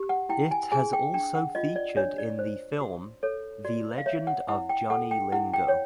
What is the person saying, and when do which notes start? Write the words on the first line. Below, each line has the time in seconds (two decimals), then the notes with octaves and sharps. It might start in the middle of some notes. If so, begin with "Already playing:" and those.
It has also featured in the film"The Legend of Johnny Lingo".
Already playing: G4
0.09 F#5
0.29 E4 G5
0.51 G#5
0.72 G#4 G#5
0.93 G5
1.14 D4 G5
1.35 F#5
1.55 F4 D#5
1.76 D5
1.97 D4 C#5
2.18 D5
2.39 C5
2.81 F#4
3.23 A4 C#5
3.65 F#4 D5
3.98 F5
4.06 C#5 E5
4.27 F#5
4.48 E4 F#5
4.69 G5
4.90 A4 F#5
5.11 G5
5.32 E4 F#5
5.54 G5
5.68 C#5